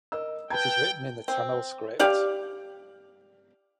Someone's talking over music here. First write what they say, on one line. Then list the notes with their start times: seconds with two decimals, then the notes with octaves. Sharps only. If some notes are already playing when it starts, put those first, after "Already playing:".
It is written in the Tamil script.
0.12 A#4 D#5 E6
0.50 B4 G5 A5 G#6
1.28 C4
1.99 G4 D5 F5